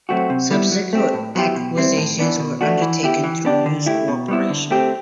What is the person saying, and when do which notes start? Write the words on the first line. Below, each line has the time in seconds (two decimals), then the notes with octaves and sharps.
Subsequent acquisitions were undertaken through News Corporation.
0.09 F#3 A3 C4 F#4
0.30 C3
0.51 G3 B3 E4
0.72 F#3
0.93 A3 C4 G4
1.14 A2
1.35 F#3 B3 E4 G4
1.56 B2
1.76 G3 C4 E4
1.97 A2
2.19 E3 B3 D4
2.40 B2
2.61 A3 D4 F#4
2.82 E3
3.03 B3 E4 G4
3.24 E3
3.45 B3 D4 G4
3.66 D3
3.86 A3 E4 G4
4.08 B2
4.28 G3 B3 E4
4.50 D3
4.71 A3 C4 G4